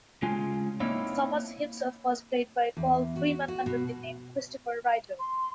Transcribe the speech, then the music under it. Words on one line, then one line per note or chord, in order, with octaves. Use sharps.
Thomas himself was played by Paul Freeman under the name "Christopher Ryder".
C#3 G#3 F4 G#5
A#3 C4 D#4 E4 C#5 F5
E2
F#4
F#4
B2
C6